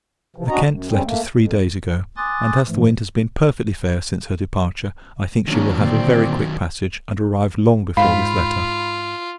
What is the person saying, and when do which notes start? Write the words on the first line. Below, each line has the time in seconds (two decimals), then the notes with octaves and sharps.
The Kent left us three days ago; and, as the wind has been perfectly fair since her departure, I think she will have a very quick passage, and arrive long before this letter.
0.36 C3 E3 F3
0.49 D#2 C#4 D4 F#4 D#5 A#5
0.66 F#2
0.89 F#2 C#3 G3 C4 C#4
1.04 A3 A#3
1.32 F2
2.17 G#5 C6 D6 D#6 F#6 A6
2.67 G#2 E3 F3 A3
5.48 D#3 F#3 A#3 C#4 D4
5.78 A#2 D3 A#3 C4 D5
7.97 G#2 F4 F5 B5